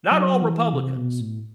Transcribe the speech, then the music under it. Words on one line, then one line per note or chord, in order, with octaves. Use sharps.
not all Republicans,
F#3
E3
C3
B2
A2